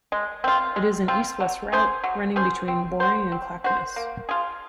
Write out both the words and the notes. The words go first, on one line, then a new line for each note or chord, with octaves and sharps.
It is an east-west route, running between Boring and Clackamas.
G#3
C4 F4
G#3
C4 F4
F#3
C#4 G#4 C5
F#3
C#4 G#4 C5
C4
F#4 C5
C4
F#4 C5
A#3
F4 G#4